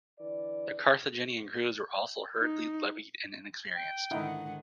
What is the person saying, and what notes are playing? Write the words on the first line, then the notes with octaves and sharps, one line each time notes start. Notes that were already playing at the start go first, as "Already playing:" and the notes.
The Carthaginian crews were also hurriedly levied and inexperienced.
D3 E3 D5
D#4
G5
G#2 D3 D#3 D#4 E4 F#5